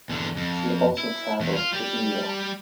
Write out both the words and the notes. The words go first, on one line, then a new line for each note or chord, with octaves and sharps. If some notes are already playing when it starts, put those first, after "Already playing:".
She also traveled to India.
E2 D3
F2
E4
E2
F4
G3 G4